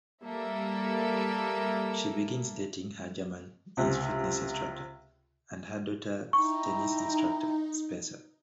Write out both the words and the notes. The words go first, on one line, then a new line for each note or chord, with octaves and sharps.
She begins dating her German fitness instructor, and her daughter's tennis instructor, Spencer.
G3 A#3 A4 E5
C#2 C3
D#4 E4 G5 A#5 C#6